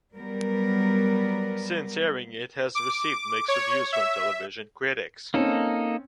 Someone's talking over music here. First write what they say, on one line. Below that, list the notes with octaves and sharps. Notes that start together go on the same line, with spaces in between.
Since airing, it has received mixed reviews from television critics.
F#3 G3 B3 A#4
D6
C#5
E5
A#3 C4 C#4 D#4 A4